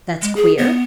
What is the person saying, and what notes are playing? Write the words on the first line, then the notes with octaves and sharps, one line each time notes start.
"That's queer."
G#3
G#4
B3